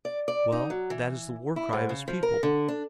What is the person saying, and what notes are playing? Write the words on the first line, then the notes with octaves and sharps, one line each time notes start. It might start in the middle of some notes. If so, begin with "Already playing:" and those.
Well, that is the war-cry of his people.
D5
D5
D#4
F#3
E3
E4
G#2
C#3
F3
A#4
D3
D4